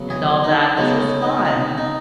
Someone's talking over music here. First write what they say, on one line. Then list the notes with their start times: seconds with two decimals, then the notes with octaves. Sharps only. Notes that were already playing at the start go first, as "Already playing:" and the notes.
and all that, this was fun.
Already playing: C#3 F#3 B3
0.10 G#4
0.44 D#4
0.77 C#3 G#3 B3 D#4
1.00 C#4
1.22 D#4
1.45 D#4
1.77 D#4